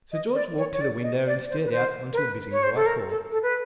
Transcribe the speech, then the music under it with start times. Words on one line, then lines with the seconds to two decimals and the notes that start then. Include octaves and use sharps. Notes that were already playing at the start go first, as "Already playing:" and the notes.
Sir George walked to the window and stared out on to busy Whitehall.
0.12 D#5
0.34 D5
0.58 C#5
0.73 C#5
0.81 D5
1.03 D#5
1.27 D5
1.49 C5
1.66 B4
1.72 C5
2.13 A#4
2.17 B4
2.52 C#5
2.63 C5
2.76 A4
2.86 A#4
3.09 A4
3.31 A4
3.43 B4